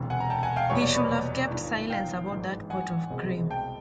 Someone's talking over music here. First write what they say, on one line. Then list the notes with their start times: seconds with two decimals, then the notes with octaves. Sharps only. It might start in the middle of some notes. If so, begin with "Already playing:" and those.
He should have kept silence about that pot of cream.
Already playing: E1 D2 C3 E3
0.10 F#5 G#5
0.20 A#5
0.30 G5 A5
0.43 F#5 G#5
0.56 F5 G5
0.70 F1 E2 B2 G3 B3 C#5
0.82 D5
0.95 B4 C#5
1.50 G1 G2 D#3
1.90 F5 G5
2.30 A1 G#2 E3
2.70 F#5 G#5
3.10 C2 B2 G#3 C4
3.50 G5 A5